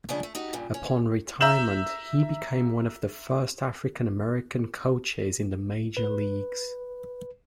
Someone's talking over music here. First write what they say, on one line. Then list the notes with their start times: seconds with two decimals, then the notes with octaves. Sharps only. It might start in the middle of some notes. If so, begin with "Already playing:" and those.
Upon retirement, he became one of the first African-American coaches in the major leagues.
0.09 C#3 F3 G#3 B3 D4 G#4
0.23 A3
0.35 D#4 F#4 G4
0.53 G2 A#2 C#3
0.74 C#4
1.41 E5 A#5 E6 G6 E7 F#7
5.97 B4